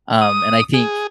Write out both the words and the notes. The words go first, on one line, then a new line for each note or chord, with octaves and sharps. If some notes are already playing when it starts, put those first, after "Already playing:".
Um, and I think
D#6
G#4